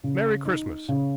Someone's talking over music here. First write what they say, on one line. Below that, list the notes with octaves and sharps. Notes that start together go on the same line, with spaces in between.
Merry Christmas!'
C#3
D#4
C#3